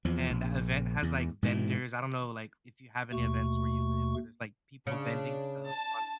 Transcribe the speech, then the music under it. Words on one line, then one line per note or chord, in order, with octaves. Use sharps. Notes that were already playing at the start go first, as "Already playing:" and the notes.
and that event has, like, vendors. I don't know, like, if you have any events where you live where there's, like, people vending stuff on
E2 F3
A#1
E2
G#2 B2 D#3 E3
D#2 B2 A3 C#6
C#3 D4
A5